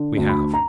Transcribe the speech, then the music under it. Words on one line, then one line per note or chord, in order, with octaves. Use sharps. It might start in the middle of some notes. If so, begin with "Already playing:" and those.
"We have."
Already playing: D3
D2
B5
A#5